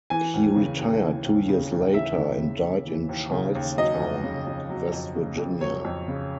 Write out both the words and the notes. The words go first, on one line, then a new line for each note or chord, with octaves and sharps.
He retired two years later and died in Charles Town, West Virginia.
E3 G#5
D#2
C#3
D#2
E3
D#2
C#3
D#2
E3 E5
D#2
C#3
D#2
E3
D#2
C#3
D#2
F#3 D#5
F2
C#3
F2
F#3
F2
C#3
F2
F#3 C#5
F2
C#3